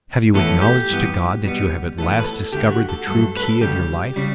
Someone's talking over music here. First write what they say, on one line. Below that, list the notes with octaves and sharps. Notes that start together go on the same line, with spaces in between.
Have you acknowledged to God that you have at last discovered the true key of your life?
A2 E3 B3 A4
G4
G2 E3 B3
B2 G3 B3
A2 E3 B3 A4
B4
A4
D2 D3 A3 G4
F#4
A4
G2 F#3 A3 A4
B4
A4
D2 C#3 G3 G4
C#3 G3